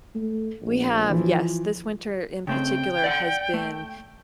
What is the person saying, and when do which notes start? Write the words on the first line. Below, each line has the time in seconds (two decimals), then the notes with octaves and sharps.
We have yes, this winter in particular has been,
0.15 A3
0.62 A#1
1.10 E3 F3
2.47 C#3 A3 C4 G5
3.04 D5 F#5
3.54 A3